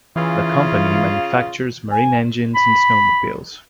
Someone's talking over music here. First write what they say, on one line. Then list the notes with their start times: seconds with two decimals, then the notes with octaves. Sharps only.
The company manufactures marine engines and snowmobiles.
0.16 C#3 E3 F4
1.91 G#5
2.55 B5